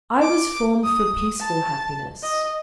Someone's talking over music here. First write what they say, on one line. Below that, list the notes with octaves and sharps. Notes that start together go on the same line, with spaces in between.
I was formed for peaceful happiness.
D6
D#6
A5
D#5